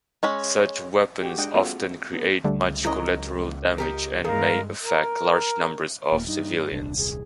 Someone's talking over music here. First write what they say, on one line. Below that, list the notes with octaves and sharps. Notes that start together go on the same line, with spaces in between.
Such weapons often create much collateral damage and may affect large numbers of civilians.
G#3 C#4 B5
F#4 G4
G#3 D4 D#5 F#5 G5
A#3 C4 F4 F#4 G#4 A4
B3
C#2 D3 G3 A3
F#3 C#4 E4 A#4 D#5
D#4 G4 A#4
G2 D#3 G#3 G#4 A#4 F5
A#4
D#1 A#3
G2 D#4
D#1 C2 D4
G#4